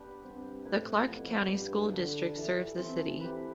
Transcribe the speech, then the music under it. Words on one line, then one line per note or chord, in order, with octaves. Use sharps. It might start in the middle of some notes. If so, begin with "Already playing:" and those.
The Clark County School District serves the city.
Already playing: B3 D4 G4 B4
G2 C4
A2 E4 B4
F2 B3
G2 D4 G4
D3 D4
E3 A4 E5
E3 C4
E3 G4 B4